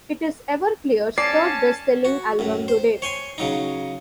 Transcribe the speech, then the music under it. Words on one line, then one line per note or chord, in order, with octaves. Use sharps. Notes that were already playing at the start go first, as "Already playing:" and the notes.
It is Everclear's third-best-selling album to date.
C#4 D5 A5 C7
F#4
F#2 A2
C5
C#5 G5 G#5 C6
C#3 F#3 D#4